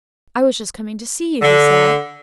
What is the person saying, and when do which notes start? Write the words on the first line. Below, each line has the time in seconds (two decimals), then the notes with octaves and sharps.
"I was just coming to see you," he said.
1.42 D3